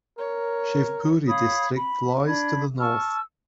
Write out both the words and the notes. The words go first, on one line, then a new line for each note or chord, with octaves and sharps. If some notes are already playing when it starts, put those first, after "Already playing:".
Shivpuri District lies to the north.
A#4 C#5
C#5 F5 B5 D#6
B5
D4 B5 G#6
A5 C#6 E6 F6